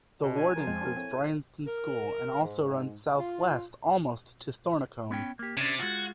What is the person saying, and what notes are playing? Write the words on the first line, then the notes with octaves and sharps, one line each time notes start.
The ward includes Bryanston School and also runs south west almost to Thornicombe.
B2 D3
C#4 D4 G#5
F3 A#4
F2 G#3 C4 C5
D4 F#4 A#4
A2 C4
A#4
G#2
F4
B3 C#4 G5
A#3 G4
C3 C#4 D4
G#3 F4 F#4